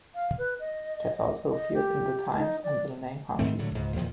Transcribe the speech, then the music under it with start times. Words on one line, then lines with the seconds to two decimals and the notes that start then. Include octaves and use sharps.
It has also appeared in "The Times" under the name "Hashi".
0.15 F5
0.38 B4
0.60 D#5
1.50 D#5
1.74 G4
2.38 D#4
2.63 D5
3.39 G#2 D#3 A3 C4
3.59 A2 D3 F#3
3.75 C#2 G#2
3.96 E2 A#2 D#3 F3